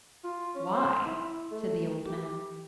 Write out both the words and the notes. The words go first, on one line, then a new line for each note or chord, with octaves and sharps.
"Why?" said the old man.
F4
C#4
C5
E4
A3
G4